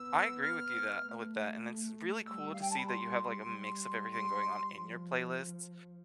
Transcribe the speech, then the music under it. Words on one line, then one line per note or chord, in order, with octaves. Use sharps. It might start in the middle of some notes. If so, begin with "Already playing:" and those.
I agree with you that with that, and it's really cool to see that you have like a mix of everything going on in your playlists,
Already playing: B3 E6
F6
A3
G3 E6
F5
G5
A5
B5
C6
G3
C6
F3